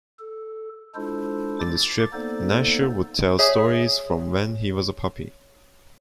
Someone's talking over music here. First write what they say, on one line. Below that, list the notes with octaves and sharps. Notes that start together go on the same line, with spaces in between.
In the strip, Gnasher would tell stories from when he was a puppy.
A4
G#3 D4 E4 F4 A4 C5
D6 A6
A#3 B3 D#4 A4 C5 D5
G#4 C#5 E5 G#5